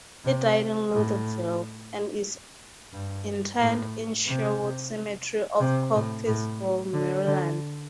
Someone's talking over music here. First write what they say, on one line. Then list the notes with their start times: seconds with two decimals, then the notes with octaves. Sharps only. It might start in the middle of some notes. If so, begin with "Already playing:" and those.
He died in Lutherville, and is interred in Sherwood Cemetery of Cockeysville, Maryland.
0.25 C3
0.91 A2
2.92 G2
3.60 A2
4.26 C3
5.60 C3
5.94 A2
6.27 A2
6.94 D3
7.27 D3